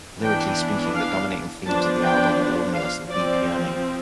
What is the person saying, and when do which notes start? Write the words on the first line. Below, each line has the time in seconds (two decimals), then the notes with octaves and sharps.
Lyrically speaking, the dominating themes of the album were loneliness and deep yearning.
0.22 E3 B3 D4 G5
0.94 F5
1.66 F3 B3 D4 A5
2.02 G5
2.74 F5
3.09 F3 C4 D5